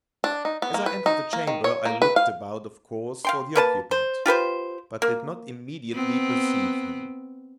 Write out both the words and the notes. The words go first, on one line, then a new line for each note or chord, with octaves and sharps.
As I entered the chamber, I looked about, of course, for the occupant, but did not immediately perceive him.
D4
D#4
B3
A#3
B4
D#4
A#3
D#3
C#5
A#3
B4
F5
F5 G5 C6
A#3 B4 A5
C5
F4 G4 B4 C5
A#3
B3 C4